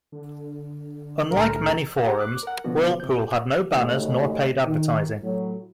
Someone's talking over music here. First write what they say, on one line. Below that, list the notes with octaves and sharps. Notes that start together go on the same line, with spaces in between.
Unlike many forums, Whirlpool had no banners nor paid advertising.
D3
C2 A2 A#4
G4 F#5 A#5
D6 F#6
A#4 F#5
B2 D3 F3 A#3 B3 F#4
C3 G6
D#2 G#2 C#3 A3 F#4 D#5
D#3
A2 F#3